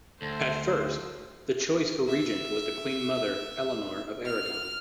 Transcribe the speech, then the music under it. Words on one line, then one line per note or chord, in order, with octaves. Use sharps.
At first, the choice for regent was the Queen mother Eleanor of Aragon.
D2 A4 C5
E5
F6